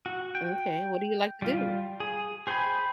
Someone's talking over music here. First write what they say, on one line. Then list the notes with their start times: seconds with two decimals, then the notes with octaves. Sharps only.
M'kay, what do you like to do?
0.06 F#4
0.35 G5
1.42 G3 F4
2.00 G#4
2.47 G#4 C5 G5 G#5 B5